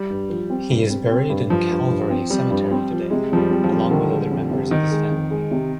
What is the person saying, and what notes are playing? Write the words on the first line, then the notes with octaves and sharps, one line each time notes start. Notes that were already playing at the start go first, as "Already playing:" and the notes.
He is buried in Calvary Cemetery today, along with other members of his family.
Already playing: G3
G2
F3
C4
G2
C4
C4
G2
G2 F3
G2
G2
C4
G3 C4
G2
C4
F3
C3 G#3
F2 F3
G3
F2 G3
F3
F2
D3 D#3
G#3
F2
C3
C3 D#3
G#3
F2
G#3
C3